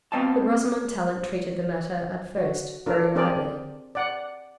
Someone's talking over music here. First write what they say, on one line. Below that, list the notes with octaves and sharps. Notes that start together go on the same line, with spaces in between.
But Rosamond Tallant treated the matter, at first, very lightly.
B3 C4 D#5 F5 A5
F#4
D4 F4 A4 A#4
C4 D4 G#4 A#4 C5 D5
D5 F#5